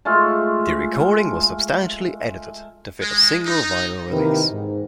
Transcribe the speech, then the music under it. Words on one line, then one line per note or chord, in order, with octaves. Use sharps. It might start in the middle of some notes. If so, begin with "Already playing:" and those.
The recording was substantially edited to fit a single vinyl release.
G#3 A3 F4
G#3
D#4
C3 D#3 E3 A#3 A#4 B4
G#2